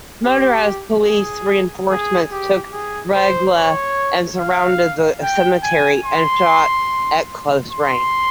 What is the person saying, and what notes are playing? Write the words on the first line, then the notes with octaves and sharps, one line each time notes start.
Motorized police reinforcements took Regla and surrounded the cemetery and shot at close range.
G4
G#4
G#4
G4
G#4
C5
C#5
F5
G5
G#5
C6
C6